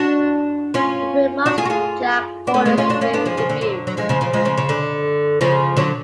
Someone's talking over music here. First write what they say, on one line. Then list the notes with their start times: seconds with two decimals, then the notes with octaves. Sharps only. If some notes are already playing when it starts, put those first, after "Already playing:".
The film marks Jack Warden's movie debut.
Already playing: D4 F#4
0.74 C#4 F4
1.46 D4 F#4
1.58 F4 G#4
1.66 F#4
1.70 F4 G#4
2.47 D4
2.54 A3 C#4
2.65 G#3 B3
2.78 C#4 F4
2.89 D4 F#4
3.01 C#4 F4
3.14 B3 D4
3.26 F3 G#3
3.37 C#3 F3
3.50 D3
3.61 D3 F#3
3.87 F#3
3.97 F3 G#3
4.09 C#3 F3
4.21 C#3 F3
4.33 F3 G#3
4.45 C#3 F3
4.57 C#3
4.69 D3
5.41 C#3 F3
5.77 D3 F#3